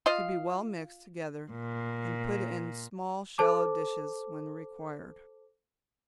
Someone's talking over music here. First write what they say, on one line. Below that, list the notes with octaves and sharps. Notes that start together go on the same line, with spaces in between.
To be well mixed together, and put in small, shallow dishes when required.
F4 D#5 F5
A#2
A4 C5 A5 D6